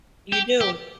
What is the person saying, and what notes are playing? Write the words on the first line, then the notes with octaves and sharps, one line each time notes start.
You do.
G4
G4